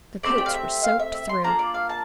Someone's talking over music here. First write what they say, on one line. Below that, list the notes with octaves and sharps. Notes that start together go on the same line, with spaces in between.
Their coats were soaked through.
A3 C4 G4 D5
G5
F5
E5
F5
E5
E5
C6
A#3 D4 F4 A4 A#5
D5
F5
A5